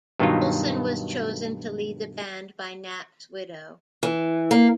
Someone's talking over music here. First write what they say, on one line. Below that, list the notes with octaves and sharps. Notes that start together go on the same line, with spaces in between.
Olsen was chosen to lead the band by Knapp's widow.
G2 B2 D#3 F#3 D#4 F4
E3
A#3